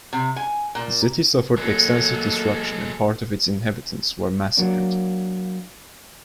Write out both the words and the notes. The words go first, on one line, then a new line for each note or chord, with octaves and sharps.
The city suffered extensive destruction and part of its inhabitants were massacred.
C3
G#5
A#2
F#3 G#3 A#3 A4
F#3 A#3 D4